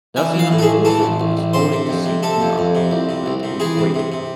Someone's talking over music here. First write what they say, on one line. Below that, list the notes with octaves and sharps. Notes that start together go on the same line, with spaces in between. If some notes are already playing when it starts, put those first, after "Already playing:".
Does he not also leave us wholly to seek in the art of political wagering?
E3 G#5
E3
F5
A2
A4
G#4
A1
E3 A4
A1
A1
A1
C3 C5
C3
F2
C3
C3 A4
F2
F2
C3
C2
C3
C2
C3
E3 G#4
C3
C3
C3